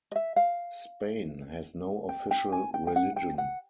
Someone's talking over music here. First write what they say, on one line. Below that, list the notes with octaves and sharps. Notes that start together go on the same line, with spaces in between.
Spain has no official religion.
D#5
E5
F5
G5
G5
G#5
G5
G5
F#5
G5
F#5